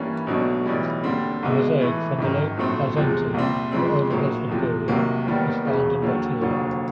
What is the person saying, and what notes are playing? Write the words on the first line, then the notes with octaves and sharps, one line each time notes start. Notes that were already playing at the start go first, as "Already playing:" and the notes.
A mosaic from the late Byzantine or early Muslim period was found in Battir.
Already playing: G2 E3 G3 A#3 C#4
B1 B2 F#3 A3 D4
B1 A2 E3 G3
D#2 D3 G3 C4
C2 B2 G#3
A2 E3 A3
G#1 F#2 D#3
A#1 A2 F#3 A3 C4
E2 C3 F3 G#3
C2 A#2 G3 C4
F2 C#3 F3 G#3 C4
A#1 A2 F#3 A#3
E2 C3 F3
C2 C3 D#3 F#3 A#3
D#2 D#3 G3 B3
E1 E2 C#3
D#2 D3 F#3
F1 D#2 D3 F#3